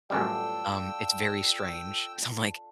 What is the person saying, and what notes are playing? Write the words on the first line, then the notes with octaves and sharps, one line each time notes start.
Um, it's very strange. So, I'm like,
A1 F#2 G3 D4 F4 A4 G5 E6